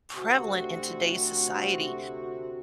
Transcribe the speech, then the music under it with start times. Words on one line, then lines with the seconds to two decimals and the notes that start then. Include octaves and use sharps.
prevalent in today's society,
0.16 D2 C3 F#4